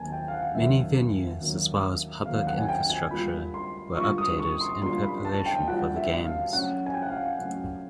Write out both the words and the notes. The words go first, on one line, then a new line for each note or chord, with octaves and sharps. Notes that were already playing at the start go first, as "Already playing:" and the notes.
Many venues as well as public infrastructure were updated in preparation for the Games.
Already playing: D#2 D3 F#3 A#3 G#5 A5
G5
F5
F#5
D#2 D3 F#3 A#3 E5
D#2 D3 F#3 A#3
D#2 D3 F#3 A#3 F5
F#5
G#5
G5
G#5
D3 G3 A#3 D4 F4 B5
C6
D3 G3 A#3 D4 F4 C#6
D#6
C#6
C6
D3 G3 A#3 D4 F4 C6
B5
A5
G5
D3 G3 A#3 D4 F4 F#5
E5
F5
C#3 F#3 A3 C#4 F#5
G#5
G5
F#5
F5
C#3 F#3 A3 C#4 F#5